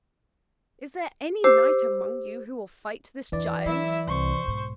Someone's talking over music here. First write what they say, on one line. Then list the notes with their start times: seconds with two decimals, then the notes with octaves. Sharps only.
Is there any knight among you who will fight this giant?
1.44 G4 C5 D6 E6 C7
3.32 E2 E3 D4 D5
3.66 F#3 E4 E5
4.07 C2 C5 C#6
4.44 B1 G#2